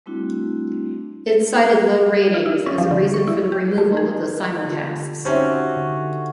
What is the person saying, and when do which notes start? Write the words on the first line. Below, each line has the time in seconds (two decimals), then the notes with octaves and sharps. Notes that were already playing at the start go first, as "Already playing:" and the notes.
It cited low ratings as a reason for the removal of the simulcasts.
0.06 G3 A3 C4 D4 E4 F#4
2.34 F4
2.46 E4
2.66 C#4
2.78 F3
2.91 D3
3.14 C#6
3.28 E4
3.52 G4
3.78 A3
3.97 G#4
4.67 D3 F4 G4
5.25 C4 C#4 D#4 F#4 G4 E5
5.76 D3